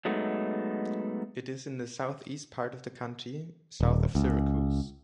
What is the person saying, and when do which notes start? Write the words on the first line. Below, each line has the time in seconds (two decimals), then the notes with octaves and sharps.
It is in the southeast part of the county, south of Syracuse.
0.05 F#3 G#3 A3 B3 D#4
3.81 D#1
4.15 C#2